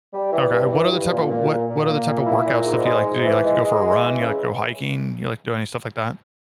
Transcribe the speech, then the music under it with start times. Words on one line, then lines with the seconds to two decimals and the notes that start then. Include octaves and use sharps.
Okay. What other type of what what other type of workout stuff do you like to do? You like to go for a run, you like to go hiking, you like doing stuff like that?
0.13 G3
0.32 E3
0.51 G2
0.70 E3
0.90 G2
1.10 A#2
1.29 A#2
1.49 A#2
1.68 A#2
1.87 A#3
2.06 A#2
2.26 E4
2.45 A#2
2.65 G#2
2.84 G#3
3.04 G#2
3.23 E3
3.43 G#3
3.62 G#3
3.81 G#3
4.01 E3
4.20 C#3